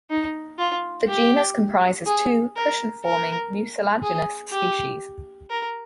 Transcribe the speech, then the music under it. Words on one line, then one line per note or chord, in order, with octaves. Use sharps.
The genus comprises two cushion-forming, mucilaginous species.
D#4
F4
G4
G#4
A#4
A#4
G#4
G4
A#4